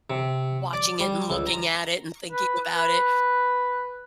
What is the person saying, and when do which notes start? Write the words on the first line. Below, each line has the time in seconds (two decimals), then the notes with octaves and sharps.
watching it and looking at it and thinking about it,
0.10 C3
0.73 D5
1.00 G3
1.30 C#2
1.47 A#5
2.32 B4
2.75 B4